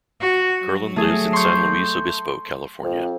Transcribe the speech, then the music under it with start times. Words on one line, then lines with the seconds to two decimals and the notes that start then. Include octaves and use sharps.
Kurland lives in San Luis Obispo, California.
0.21 F#4
0.60 F#3
0.96 A3 G#4
1.33 C6 C#6 G6
2.83 F2